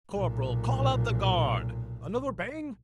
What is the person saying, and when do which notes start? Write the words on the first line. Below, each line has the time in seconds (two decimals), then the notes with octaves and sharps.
Corporal, call out the guard! Another bang!
0.12 B1 A#2